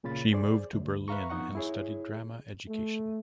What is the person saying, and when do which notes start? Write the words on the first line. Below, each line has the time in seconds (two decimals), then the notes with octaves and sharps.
She moved to Berlin and studied drama education.
0.03 D2 A#2 C#3 F4 B5 A6
0.33 G#4 C5 D5
0.73 D2
1.08 B4 E5 F5 A#5 C#6
1.29 F2 B3 D#4 D#5 F#5 C#6
1.55 E4 G#4 C#5
2.68 A3